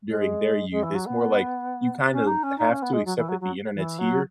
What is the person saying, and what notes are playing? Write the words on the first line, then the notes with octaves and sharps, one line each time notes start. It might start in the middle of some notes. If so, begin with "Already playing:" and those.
during their youth, it's more like you kinda have to accept that the internet's here,
G#3
G#3
E3
F#3
B3
C#4
D#4
C#4
D#4
C#4
B3
G#3
F#3
E3
F#3
F#3
E3
F#3